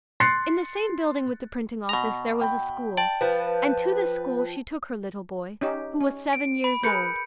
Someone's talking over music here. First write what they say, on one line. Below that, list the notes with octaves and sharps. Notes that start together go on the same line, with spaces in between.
In the same building with the printing office there was a school, and to this school she took her little boy, who was seven years old.
C6 F#6 A6 C7 C#7
B2 A#5
G5 B5
D5 G5 A5
F3 B4
C#4 D#4 G4
C#4
D7
B5
G#4 A#4 B4 G6 C#7